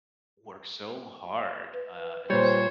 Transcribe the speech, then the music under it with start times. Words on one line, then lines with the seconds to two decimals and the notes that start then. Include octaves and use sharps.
work so hard, uh, and just
1.73 B4
2.30 A#2 G3 C5 C#5